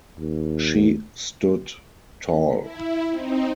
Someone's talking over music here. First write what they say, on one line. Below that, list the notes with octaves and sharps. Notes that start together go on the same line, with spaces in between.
She stood tall.
D#2
E4
C4 D#4